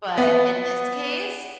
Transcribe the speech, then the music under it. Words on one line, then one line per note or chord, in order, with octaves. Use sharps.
But in this case,
B3